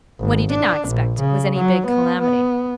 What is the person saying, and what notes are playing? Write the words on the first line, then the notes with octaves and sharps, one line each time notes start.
What he did not expect was any big calamity.
G#1
D4
A#1
C#3
F#3
B3
B3